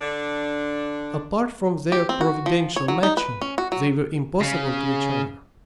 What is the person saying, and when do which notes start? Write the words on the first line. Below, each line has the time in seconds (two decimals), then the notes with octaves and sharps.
Apart from their providential matching, they were impossible to each other.
0.01 D3 D4
1.92 G4
2.09 C4
2.21 F#4
2.46 F3
2.76 C#5
2.88 F#3
3.03 D#4
3.17 B4
3.41 C#4
3.58 F#4
3.72 F#3
4.41 C#3